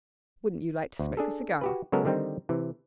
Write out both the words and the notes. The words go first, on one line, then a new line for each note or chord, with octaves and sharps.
Wouldn't you like to smoke a cigar?
D2
D4 G#4 A4
F#4 G4 B4
C#3 F#3 G#3 B3 A4 A#4
D3 D#3 G3 C4 D#4
C3 E3